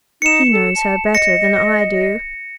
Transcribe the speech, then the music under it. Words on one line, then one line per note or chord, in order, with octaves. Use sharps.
"He knows her better than I do."
D#4 C#7 E7
A4
A5
D#5 A#6 C#7